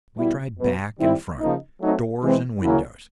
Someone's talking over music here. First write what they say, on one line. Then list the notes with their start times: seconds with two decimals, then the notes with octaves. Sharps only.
We tried back and front, doors and windows.
0.17 B2 G3 B3 E4
0.57 B2 F#3 B3
0.99 D#3 G3 C4 E4
1.40 C#3 F3 A#3 D#4
1.80 F#3 A3 C4 D#4
2.21 E3 G#3 C4
2.62 C#3 F#3 A#3 C#4 E4